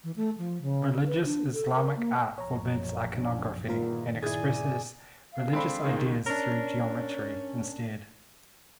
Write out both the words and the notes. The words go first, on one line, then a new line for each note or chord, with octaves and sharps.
Religious Islamic art forbids iconography, and expresses religious ideas through geometry instead.
E3
A3
F3
C#3
B4
D4
A4
A#4
A#3
A#1 F#2 F3 C#5 A#5
C#4 D4
G1 E2 A#2 D#3 A#3 F4 A#4
E4 G#4 D5 G#5 A6
F5
G#3 C4 D4 A4 B5
C#2 D#3 G#4
F#4
C#4 D4 A#4